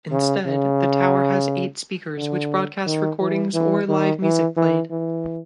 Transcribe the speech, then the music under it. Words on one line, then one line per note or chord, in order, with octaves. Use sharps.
Instead the tower has eight speakers which broadcast recordings or live music played.
C#3
C#3
D3
D#3
E3
E3
D#3
E3
E3
E3